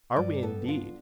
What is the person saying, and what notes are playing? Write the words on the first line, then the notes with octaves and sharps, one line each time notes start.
"Are we, indeed?"
G2 D5
B3 A4
D4 F4